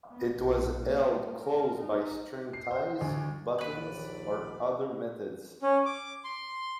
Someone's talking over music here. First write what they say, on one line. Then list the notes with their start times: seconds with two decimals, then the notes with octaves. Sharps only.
It was held closed by string ties, buttons, or other methods.
0.12 B3
0.42 B1
0.85 A#3
1.38 A#4
1.80 D#4
2.53 C7
2.71 C5
3.01 D2
3.58 A#1 D#2 B4 D5 B5 F#6
5.62 C#4
5.86 D6
6.24 C6